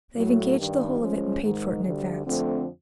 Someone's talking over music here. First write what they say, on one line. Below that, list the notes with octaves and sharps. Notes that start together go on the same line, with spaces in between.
"They have engaged the whole of it and paid for it in advance."
A2 F#3 A3
G2 D#3 G3
F3 G#3 C#4
G#2 D#3 G#3
D2 D3 G3
F2 D3 F3 A3 C4